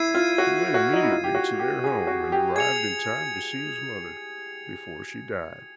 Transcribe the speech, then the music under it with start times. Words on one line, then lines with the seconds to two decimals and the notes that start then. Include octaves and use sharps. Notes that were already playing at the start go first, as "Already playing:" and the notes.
He went immediately to their home, and arrived in time to see his mother before she died.
Already playing: E4 G#6 C7 D#7
0.14 F4
0.38 F#4
0.74 F#4
0.93 D#4
1.03 E4
1.12 F4
1.24 G4
1.35 F#4
1.59 G4
1.84 G#4
2.07 F#4
2.32 G4
2.55 G#4 G#6 C#7 F7